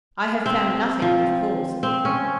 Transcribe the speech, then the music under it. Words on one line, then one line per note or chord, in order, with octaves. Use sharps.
I have found nothing, of course.
C4
F3
C4
C#4